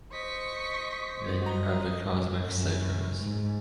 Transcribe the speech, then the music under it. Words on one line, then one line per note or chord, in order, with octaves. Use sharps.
Then you have the Cosmic Psychos.
C5 D#5 C#6 B6
F#4 D#5 A#5
F#2
G#2